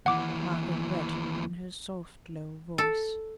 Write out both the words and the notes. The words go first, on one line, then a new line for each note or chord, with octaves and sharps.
Margaret read in her soft low voice.
D#2 E3 F#5 D6
A4